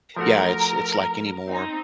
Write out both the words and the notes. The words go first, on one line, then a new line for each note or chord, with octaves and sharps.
yeah, it's it's like anymore
F3 A3 F#4 A#4
C4 D#4